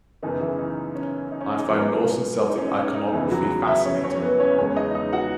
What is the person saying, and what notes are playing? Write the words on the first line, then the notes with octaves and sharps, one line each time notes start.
I find Norse and Celtic iconography fascinating.
F#2 C#3 E3 B3 D#4
E3 E4
D#4
C#4
D#4
C#4
D#4
G#2 F#3 B3 C#4
D#4
C#4
D#4
C#4
D#4
E2 C#3 E3 E4
F#3 F#4
E4 E5
C#4 C#5
C#4 C#5
B3 B4
C#4 C#5
E2 C#3 G#3 B3 C#4 C#5
D#4 D#5
D#4 D#5
F#4 F#5